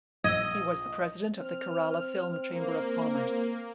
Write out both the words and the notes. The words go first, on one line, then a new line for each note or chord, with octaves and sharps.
He was the president of the Kerala Film Chamber of Commerce.
A#1 D#5 E6 G#6
C4 F6
A#3